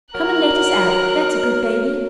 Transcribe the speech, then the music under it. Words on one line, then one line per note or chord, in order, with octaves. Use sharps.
Come and let us out, that's a good baby.
F#3 A#4 A#5 F#6